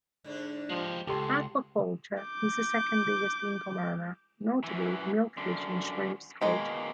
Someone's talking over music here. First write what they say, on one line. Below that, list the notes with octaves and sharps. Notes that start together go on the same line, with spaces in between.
Aquaculture is the second biggest income earner, notably milkfish and shrimps culture.
G#2 D3 D4
F3 G#3 G4
C#2 G#3 A3 G4 A4 C6
D6 G6
F#2 E3
F#2 D3
B2 D#3 G#3 A#3